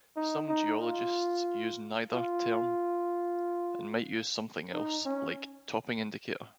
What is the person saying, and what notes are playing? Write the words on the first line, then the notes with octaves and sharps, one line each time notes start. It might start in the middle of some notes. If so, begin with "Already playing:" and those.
Some geologists use neither term, and might use something else, like topping indicator.
D#4
D#4
F4
F4
D#4
C#4